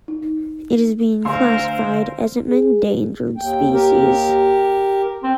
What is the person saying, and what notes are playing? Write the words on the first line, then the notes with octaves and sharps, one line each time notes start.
It has been classified as an endangered species.
D#4
D2 A#4 C5 F5 G#5 C6 E6
G#4
D#2 G5
G4 A#4
C4